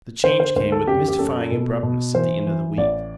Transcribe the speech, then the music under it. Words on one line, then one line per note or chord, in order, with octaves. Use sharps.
The change came with mystifying abruptness at the end of the week.
D3 C5
C5
D2 C5
A4
F#2 G4
G4
F#2 A4
B2
B2
E3 C5
E3
A1 D5